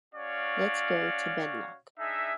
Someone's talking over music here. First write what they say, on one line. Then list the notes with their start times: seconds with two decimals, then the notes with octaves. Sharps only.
Let's go to Benlloc.
0.14 C#4 F#4 C#5 D5 F5
1.99 D4 D#4 G#4 E5